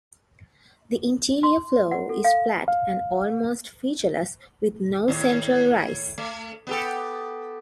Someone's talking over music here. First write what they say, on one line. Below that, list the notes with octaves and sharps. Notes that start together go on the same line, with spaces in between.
The interior floor is flat and almost featureless, with no central rise.
C6
F#5
A4
F5
F5
D#2 A2
A3
B3 G4 A4